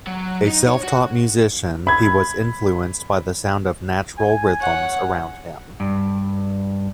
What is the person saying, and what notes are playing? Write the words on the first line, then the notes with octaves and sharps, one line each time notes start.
A self-taught musician, he was influenced by the sound of natural rhythms around him.
F#3
D#4
C#5
F#4
B5 G#6
G#5
C#5 F#5
G2